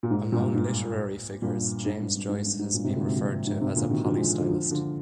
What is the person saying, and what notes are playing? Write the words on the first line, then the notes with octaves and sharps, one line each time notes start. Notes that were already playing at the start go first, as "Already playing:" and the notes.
Among literary figures, James Joyce has been referred to as a polystylist.
A#2
G#2
G2 A#2
G#2
G2 A#2
G#2
G2
G2
G#2
G2
G#2
G2 A#2
G#2 C3
A#2 D3
G#2 C3
D3 F3
G#2
G#2 C3
A#2 D3
C3 D#3
D3 F3
F3 G#3
D3 F3
D3 F3
D3 F3